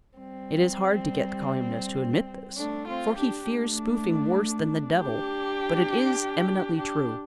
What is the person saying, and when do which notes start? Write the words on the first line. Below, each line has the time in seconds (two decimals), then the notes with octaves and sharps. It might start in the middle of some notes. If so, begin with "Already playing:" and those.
It is hard to get the colyumist to admit this, for he fears spoofing worse than the devil; but it is eminently true.
0.17 G3 C4
2.57 A3 D4
2.87 C4 F4
3.17 D4 G4
3.47 A3 D4
4.97 D4 G4
6.77 D4 G4